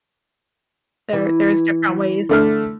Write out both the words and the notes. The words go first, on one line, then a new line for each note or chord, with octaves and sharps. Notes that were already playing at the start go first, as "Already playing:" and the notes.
there there's different ways
E3
D3 A3 F6